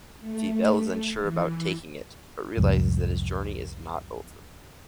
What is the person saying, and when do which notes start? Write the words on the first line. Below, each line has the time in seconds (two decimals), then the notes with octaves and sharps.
Fievel is unsure about taking it, but realizes that his journey is not over.
0.20 A3
1.22 E3
2.57 C2 F2 G#2